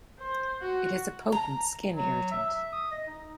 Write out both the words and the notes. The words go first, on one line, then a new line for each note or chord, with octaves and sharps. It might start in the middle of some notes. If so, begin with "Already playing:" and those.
It is a potent skin irritant.
C5
F#4
A#5
F#3
E5
D#6
D#5
D#4